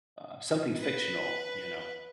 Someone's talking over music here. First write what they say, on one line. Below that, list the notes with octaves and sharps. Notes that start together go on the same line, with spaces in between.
uh, something fictional, you know.
B4